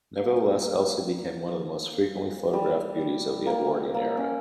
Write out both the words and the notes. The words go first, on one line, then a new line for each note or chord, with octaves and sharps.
Nevertheless, Elsie became one of the most frequently photographed beauties of the Edwardian era.
A#3
A#3
G3
A#3
A#3
C#4